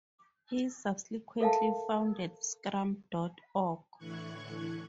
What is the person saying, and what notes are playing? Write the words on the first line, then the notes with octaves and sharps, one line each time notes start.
He subsequently founded Scrum dot org.
A4 A#4 E5 F5 G5 A5
A2 D3 E3 C#6 F#6 G#6